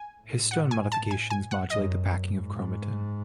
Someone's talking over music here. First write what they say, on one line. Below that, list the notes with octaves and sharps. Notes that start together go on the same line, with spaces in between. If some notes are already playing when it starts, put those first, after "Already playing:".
Histone modifications modulate the packing of chromatin.
Already playing: G#5
A2
F#5
G#5
A5
G#5
G#5
F#5
F#2 D#5
G#2